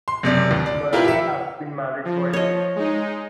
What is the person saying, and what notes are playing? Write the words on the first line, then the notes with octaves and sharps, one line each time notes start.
Berkeley has been married twice.
C6
F#1 C3 D5
D#2
D5
E4 F4 G4 A#4 B4
G4 E5
F3
C#5 D#5
G#3 D#4